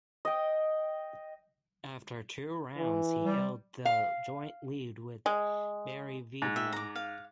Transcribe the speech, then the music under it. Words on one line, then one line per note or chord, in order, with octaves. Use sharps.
After two rounds he held the joint lead with Barry Vivian.
D#5 G5
E3
G3
F5
G#3
G#2
E5 G5
A#5 D6
F5